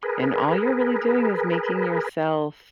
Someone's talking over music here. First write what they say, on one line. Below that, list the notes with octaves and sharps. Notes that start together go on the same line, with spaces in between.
and all you're really doing is making yourself
G#4 A#4 B4